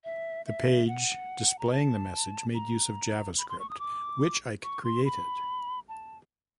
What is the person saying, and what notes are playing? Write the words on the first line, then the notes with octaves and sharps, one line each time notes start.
The page displaying the message made use of javascript, which Eich created.
E5
E5
F#5
A#5
A5
A#5
B5
C6
C#6
D#6
D6
C#6
C6
B5
A5